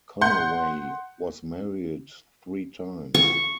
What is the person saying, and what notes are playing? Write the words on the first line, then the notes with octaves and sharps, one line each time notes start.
Conaway was married three times.
F#5 C6 G6
C#6